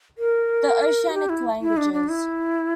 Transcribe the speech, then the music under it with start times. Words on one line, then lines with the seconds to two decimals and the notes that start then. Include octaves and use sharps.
The Oceanic languages.
0.18 A#4
1.09 F#4
1.14 G4
1.29 E4
1.61 E4
1.77 D4
1.93 D4
2.09 E4